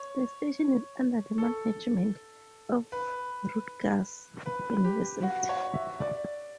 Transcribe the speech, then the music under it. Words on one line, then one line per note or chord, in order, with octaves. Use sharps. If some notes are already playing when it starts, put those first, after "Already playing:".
The station is under the management of Rutgers University.
Already playing: C#5
A4
B4
B4
G4
F#4
C#5
E5
D5